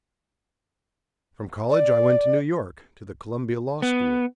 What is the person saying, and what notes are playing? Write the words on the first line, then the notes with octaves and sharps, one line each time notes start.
From college I went to New York, to the Columbia Law School.
D5
B3